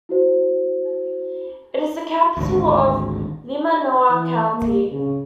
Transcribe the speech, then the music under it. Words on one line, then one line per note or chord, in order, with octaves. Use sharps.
It is the capital of Limanowa County.
E4 F#4 C5
G#1 D2
E3
A#3
C#3